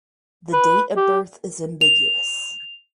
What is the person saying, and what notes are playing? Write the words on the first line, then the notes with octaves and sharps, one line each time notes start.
The date of birth is ambiguous.
B4
G4
F7